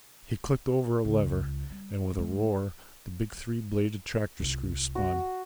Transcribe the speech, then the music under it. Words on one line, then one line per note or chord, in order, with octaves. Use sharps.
He clicked over a lever and with a roar the big three-bladed tractor screw spun.
C#2
G3
D2 G#3
C2 F4
F#4